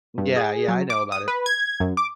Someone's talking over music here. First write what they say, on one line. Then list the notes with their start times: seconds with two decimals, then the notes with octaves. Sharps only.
Yeah, yeah, I know about it.
0.18 G2
0.36 G#4
0.68 F#3
0.90 D6
1.12 D#6
1.28 B4
1.46 G#6
1.80 F#2
1.97 D6